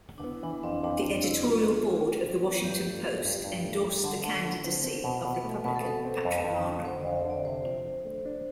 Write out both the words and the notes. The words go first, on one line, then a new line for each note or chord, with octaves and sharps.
The editorial board of The Washington Post endorsed the candidacy of Republican Patrick Mara.
D4
B3 E4
E3 D4
F2 C4
F2 D4
F2 D4
F2 E4
B3 F4
B3
E4
E3
A2
B3
F4
G2 G4
A3
A3
G2
G2
A3
G3
D3
D3
D3
C4
C4
B2 B4
B2
B4
A3
B2 B4
A4
B2 B4
C4
F2
F2
F3
D3 C5
D5
F2
E5
D3
D5
C3 C5
F3
D4
A3
D4